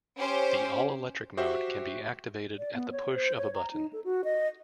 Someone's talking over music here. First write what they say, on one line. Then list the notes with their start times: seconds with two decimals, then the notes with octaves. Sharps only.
The all-electric mode can be activated at the push of a button.
0.19 C#4 G4 C5
1.37 F#4 G4 C5 E5
2.59 D5
2.74 B3
2.92 C#5
3.14 C5
3.38 C#5
3.55 A#5
3.73 D#4
3.93 A4
4.04 F#4
4.24 D#5